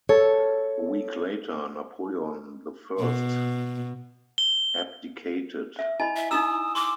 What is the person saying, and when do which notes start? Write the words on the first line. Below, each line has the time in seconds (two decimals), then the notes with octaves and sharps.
A week later, Napoleon the First abdicated.
0.09 A4 C#5
2.99 B2
4.38 G7
5.79 E5
6.00 E4 D#5 G#5 B5
6.16 E5
6.31 D#4 E4 A#5 D#6 E6 E7
6.75 C6 D6